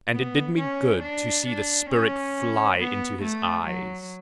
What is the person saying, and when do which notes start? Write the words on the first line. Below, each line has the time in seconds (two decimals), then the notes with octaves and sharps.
And it did me good to see the spirit fly into his eyes.
0.13 B3
0.57 C#4
1.02 D4
1.46 D4
1.89 C#4
2.78 B3
3.22 A3
3.66 F#3